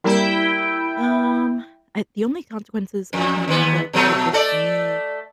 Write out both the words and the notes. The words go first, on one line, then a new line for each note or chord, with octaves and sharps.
Um, I the only consequences I can think of are just me,
G3 A#3 E4 A#4 G5
F2
D#2 B3
B2 F#3 A3
A3 A4 D5